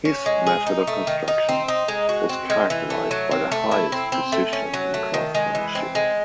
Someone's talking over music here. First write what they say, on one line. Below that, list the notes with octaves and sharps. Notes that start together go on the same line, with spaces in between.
His method of construction was characterised by the highest precision in craftsmanship.
C#4
G#3
G#4
D#4
A3
D#3
D#4
C4
D#4
G#3
F#4
C4
G#3
E3
A3
F#3
C4
A3
E4
C4
C4
A3
C#4
F#3
A3
D#3
G#3
E3
C4
G#3